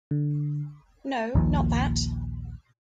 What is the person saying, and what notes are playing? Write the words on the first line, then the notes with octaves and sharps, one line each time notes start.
No, not that!
D3
A#1 D#2 A#2